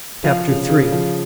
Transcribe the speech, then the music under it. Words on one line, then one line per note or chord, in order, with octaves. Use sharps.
Chapter III.
F3 F5
C#3
C#3
F3